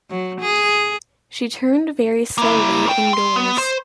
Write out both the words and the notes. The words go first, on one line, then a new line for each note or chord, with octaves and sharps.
She turned very slowly indoors.
F#3
G#4
A#3 E4
A2 G5
G4 C6
B3
C5